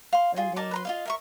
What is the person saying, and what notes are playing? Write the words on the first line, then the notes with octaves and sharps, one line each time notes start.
And the
F5 C6
F4 G#4
D#4 A#4 A5 D6
B4 A#5 C6
F4 D#5 F5
A#4 E5 C#6